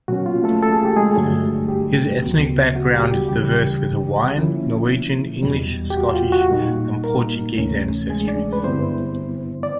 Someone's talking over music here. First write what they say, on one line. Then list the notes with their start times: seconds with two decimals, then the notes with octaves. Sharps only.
His ethnic background is diverse with Hawaiian, Norwegian, English, Scottish, and Portuguese ancestries.
0.08 B2 F#3 A#3 C#4 F#4
0.26 F4
0.44 A3 A4
0.63 A4
0.73 G#4
0.85 G4
0.96 G#3 G#4
1.16 G2 D3 F#3 A3 D4
1.68 G3 G4
2.22 D2 C#3 F#3 B3
2.76 F#4
2.94 G3 G4
3.11 G3 G4
3.29 D#2 C#3 E3 G3 G4
4.37 D3 F3 A#3 C#4 E4
5.43 E2 B2 G3
5.90 G4
5.97 F#4
6.14 F4
6.32 F#4
6.50 A#2 G3 A#3 D#4
7.04 A#3 A#4
7.57 D2 C3 E3 A3 C#4
8.10 G#3 G#4
8.28 D4 D5
8.53 B4
8.63 G2 D3 G3 B3 C4 E4 C5
9.63 D5